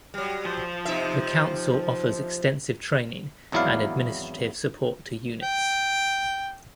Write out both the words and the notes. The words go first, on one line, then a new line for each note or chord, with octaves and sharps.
The council offers extensive training, and administrative support to units.
F#3 G3
F3 C5
C3 D#4 E5
G#1 E2 F#3 E4 D5 F5
G5